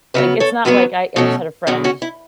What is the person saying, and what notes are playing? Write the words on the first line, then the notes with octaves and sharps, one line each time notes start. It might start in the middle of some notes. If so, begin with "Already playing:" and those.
Like, it's not, like I I just had a friend,
C#3 F#3 B3 B4 E5
A4 C#5
F#2 F#3 B3 F#4 B4
B2 F#3 A3 C#4 E4 A4
E2 B2 F#3 C#4 F#4
C#4 F#4
E4